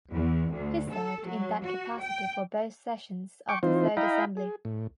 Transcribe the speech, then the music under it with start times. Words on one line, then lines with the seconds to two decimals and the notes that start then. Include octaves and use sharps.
He served in that capacity for both sessions of the Third Assembly.
0.12 E2
0.52 D2
0.91 A4
1.25 F#3
1.63 F#4
2.01 G5
3.49 G5 C#6 D6
3.63 E3 C4 D#4 F4 C5
3.97 E4 D#5 F5 G5 A#5 B5
4.37 G#4
4.65 A2